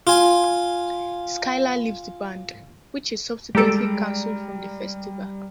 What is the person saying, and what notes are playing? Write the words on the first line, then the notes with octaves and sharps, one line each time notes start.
Skyler leaves the band, which is subsequently cancelled from the festival.
F4 G#5
G3 G#3 G4 A4 A#5 D7